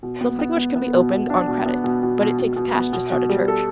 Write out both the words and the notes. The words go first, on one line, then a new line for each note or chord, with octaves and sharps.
Something which can be opened on credit, but it takes cash to start a church.
B2
B3
B3
B3
B3
B2
B3
D4
B2
B3
B2
B2
B2
B2
B2
B3
B2
B2
G3
A4